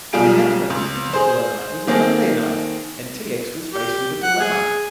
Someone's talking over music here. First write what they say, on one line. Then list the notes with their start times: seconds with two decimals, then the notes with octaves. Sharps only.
It happened that this particular night was a Monday night and T. X. was faced with a dilemma.
0.13 B1 G3 F4 G#4 D7
0.70 C#2
1.13 G#4 C5
1.87 D#3 A#3 C4 G#4 A4
3.73 G4
4.22 F#5
4.40 G#4